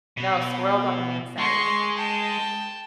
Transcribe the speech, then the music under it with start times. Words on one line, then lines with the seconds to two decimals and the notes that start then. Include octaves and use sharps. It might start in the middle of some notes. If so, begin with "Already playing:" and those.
No, swirled on the inside
0.17 B2
1.38 G#3 C6 C#6
1.98 G5 A5